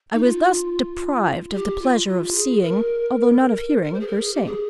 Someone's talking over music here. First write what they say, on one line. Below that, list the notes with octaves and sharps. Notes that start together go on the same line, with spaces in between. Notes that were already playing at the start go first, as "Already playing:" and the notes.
I was thus deprived of the pleasure of seeing, although not of hearing, her sing.
D#4
F4
G#4
G4
F4
F4
G#4
A#4
A#4
C5
G#4
A#4
G#4
G4
G#4